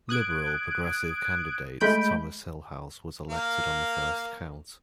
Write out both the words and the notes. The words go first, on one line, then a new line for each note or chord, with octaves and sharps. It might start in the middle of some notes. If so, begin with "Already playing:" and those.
Liberal-Progressive candidate Thomas Hillhouse was elected on the first count.
D#6 F#6 G#6 D7
G#3 A3 B5 G6 D7
A#3 F5